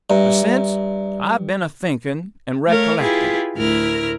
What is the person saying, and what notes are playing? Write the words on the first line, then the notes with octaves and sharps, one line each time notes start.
But sence, I've been a-thinkin' an' recollectin'.
G2 D5 E5 A#5
A3 A#4 C#5 F5
E4 F4 G4 G#4 B4
D2 A2 E4 A#4 F6